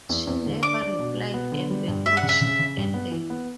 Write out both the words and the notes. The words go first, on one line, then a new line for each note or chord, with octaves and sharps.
She never replied and the courtship ended.
E2
E2
D3
D4 D6
D4
B2
B2
B3
D3
G3
G2
G3 E5
F#5
C#3
E5
C#3
C#3
G2
B3
E3
B3